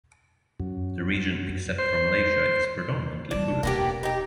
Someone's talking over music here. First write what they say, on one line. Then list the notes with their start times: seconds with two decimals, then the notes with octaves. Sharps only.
The region except for Malaysia is predominantly Buddhist.
0.60 F#2
1.78 C5
3.31 F2 G3 D4
3.47 C3 E3
3.63 E1 B2 A#3 B3 G4
4.03 D#4 G4